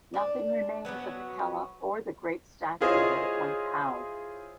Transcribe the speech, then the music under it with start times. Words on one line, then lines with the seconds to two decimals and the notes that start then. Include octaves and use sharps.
Nothing remains of the cella or the great statue that it once housed.
0.14 D4
0.85 F#3 B3 C#4 F#4
2.81 E4 F4 G#4 C5 C#5 D#5